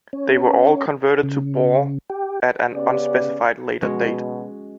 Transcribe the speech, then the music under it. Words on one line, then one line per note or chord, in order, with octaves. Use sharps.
They were all converted to bore at an unspecified later date.
C#4
C#3
G4
C#3 B3 C#4 G4 D5
B2 G#3 C#4 F#4